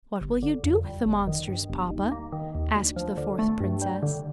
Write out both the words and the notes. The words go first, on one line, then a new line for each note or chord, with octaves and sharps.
"What will you do with the monsters, papa?" asked the fourth Princess.
G1
D3
F2
G3
G1
D#3
G2
G1
D#2
A#3
D#3
D#2
D2
F3
D3
A3
G2
G3
D3